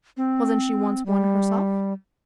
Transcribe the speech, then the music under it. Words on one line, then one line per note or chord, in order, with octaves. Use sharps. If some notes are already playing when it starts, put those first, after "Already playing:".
Wasn't she once one herself?
C4
G3